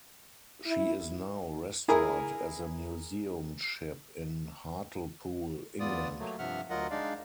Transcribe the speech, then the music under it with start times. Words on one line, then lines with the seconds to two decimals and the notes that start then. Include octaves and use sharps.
She is now restored as a museum ship in Hartlepool, England.
0.66 E4
1.88 E4 G#4 A#4 G#5 A#5
5.80 E2 B3 F4 D5 D#6
6.19 F#3 A3 A#3
6.39 G2 C3 F3 E5 F#5 F6
6.70 D2 F#3 F4 A#4 D#5 F#5
6.91 G#3 D4 D#4 D5 F5